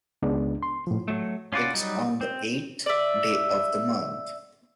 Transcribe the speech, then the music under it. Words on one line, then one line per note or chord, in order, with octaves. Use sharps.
It's on the eighth day of the month.
C#2 C#3 G#3 B3 D4
C6
A2 F3
F#3 A3
C#4 F4 B4 D5 F#5
F#3 G3 D#4
C4
D5 E5